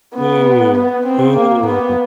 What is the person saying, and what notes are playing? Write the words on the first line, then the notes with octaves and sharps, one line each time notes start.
Ooh. Ooh.
B3
B3
C4
A#3
B3